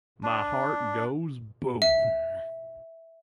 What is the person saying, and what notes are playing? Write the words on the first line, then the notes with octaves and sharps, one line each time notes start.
My Heart Goes Boom!
D4
E5